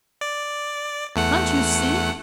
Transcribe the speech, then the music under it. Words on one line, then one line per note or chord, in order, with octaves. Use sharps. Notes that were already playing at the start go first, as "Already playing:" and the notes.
"Can't you see?"
D5
E2 A3 F#5